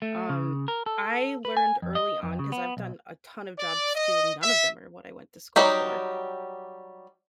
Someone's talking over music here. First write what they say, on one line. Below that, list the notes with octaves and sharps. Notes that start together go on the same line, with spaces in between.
Um, I learned early on 'cause I've done a ton of jobs too, and none of them are what I went to school for.
A3
C#3
A#4
A4
B4
G#5
F2
D#5
F2
C#3
B3
B1
D5
D#5
E5
F#3 G3 D#4 G4